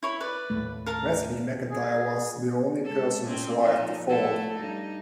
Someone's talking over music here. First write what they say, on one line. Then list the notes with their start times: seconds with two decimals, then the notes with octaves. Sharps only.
Wesley MacIntire was the only person who survived the fall.
0.03 E4 C#5 B5
0.21 B4 D5
0.50 D#2 A2 A3
0.86 A#4 F5 A5
1.70 G#4
2.84 G#2 A4
3.24 C4 C#4
3.60 F3 D#4 A4
4.08 A3 E4 A4
4.56 G2 D#4